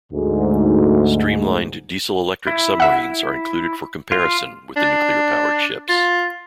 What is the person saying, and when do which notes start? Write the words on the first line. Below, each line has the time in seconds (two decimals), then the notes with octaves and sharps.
Streamlined diesel-electric submarines are included for comparison with the nuclear-powered ships.
0.12 D2 G#2
2.47 E4
2.80 E5 F#5
4.12 F4
4.76 D4
5.89 F4